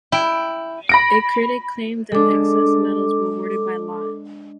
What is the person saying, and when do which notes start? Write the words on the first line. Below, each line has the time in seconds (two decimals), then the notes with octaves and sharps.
A critic claimed that the excess medals were awarded by lot.
0.12 E4 G5
0.89 B5 A#6 D7
2.12 G#3 D4 A4 D6